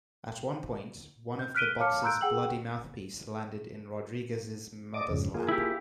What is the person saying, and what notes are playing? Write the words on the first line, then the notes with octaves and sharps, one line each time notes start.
At one point, one of the boxers' bloody mouthpiece landed in Rodriguez's mother's lap.
G6
F6 F#6 B6 D7 D#7 G7
C#5 F5 A5 D6 F6 C#7
A#5 C6 E6 F#6 G6 D7
G#4 F#5 G5 E6 F#7
D5 D#5 D6
F2 G#2 C#3
A#3 F4 G#4
E4 G4